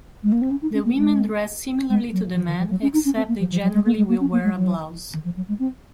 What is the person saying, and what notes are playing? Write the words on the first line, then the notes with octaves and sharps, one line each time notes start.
The women dress similarly to the men, except they generally will wear a blouse.
G#3
A#3
C4
C#4
D#4
C#4
A#3
G#3
G#3
F#3
F3
D#3
F3
F#3
C#4
D#4
C#4
C4
A#3
F3
F3
F#3
G#3
A#3
G#3
A#3
C#4
A#3
G#3
F#3
D#3
F3
F#3
G#3
C4